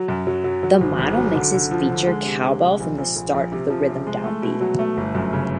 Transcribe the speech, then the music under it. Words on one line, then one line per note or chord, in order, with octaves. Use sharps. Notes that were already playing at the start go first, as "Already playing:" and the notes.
The mono mixes feature cowbell from the start of the rhythm downbeat.
Already playing: F#3
F#2
F#3
F#3
F#3
G#1
G#1
F#3
D3
D3
F3
D3
G#3
C3
C3
C3
A#1
A#1
A#1
A#1
C3
F3
C3
G#3
A3
B2
F#3
A3
G1
F#2
C#3